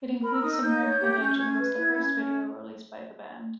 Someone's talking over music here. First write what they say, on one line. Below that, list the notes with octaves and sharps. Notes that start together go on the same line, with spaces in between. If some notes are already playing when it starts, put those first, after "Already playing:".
It includes some rare footage, and was the first video released by the band.
A#4 B5
E6
D#4 D#6
E6
D#4 G6
C#5
G4
C#4
C#4 G#6
B4
E4
C#4
C#4 G#6